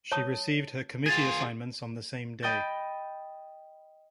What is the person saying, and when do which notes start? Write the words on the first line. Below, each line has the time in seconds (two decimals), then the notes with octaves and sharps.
She received her committee assignments on the same day.
0.12 C#5 A5 D#6
1.06 F4 G#4 G#6 A6 F7
2.43 D#5 G5 B5 G6 A6